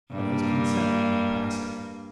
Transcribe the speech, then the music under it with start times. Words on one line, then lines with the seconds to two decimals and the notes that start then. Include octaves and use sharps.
But his consent remained passive.
0.12 G2 A#3